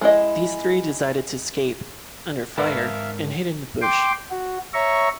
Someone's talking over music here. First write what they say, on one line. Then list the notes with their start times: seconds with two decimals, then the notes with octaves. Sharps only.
These three decided to escape, under fire, and hid in the bush.
0.01 G#3 E4 D#5
2.58 G#2 A#4 B4 E5 F5 A5
3.82 G5 C6 D6
4.31 F#4
4.74 C#5 E5 A#5 C#6